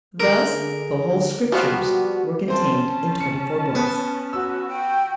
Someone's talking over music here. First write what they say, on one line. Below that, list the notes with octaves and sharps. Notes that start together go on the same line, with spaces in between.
Thus the whole Scriptures were contained in twenty-four books.
D3 G#4 A#4
F3 G3 B3 F#4 F5
C4 C#4 C5 A5
C#7
B3
F#4 E6
F#4 G5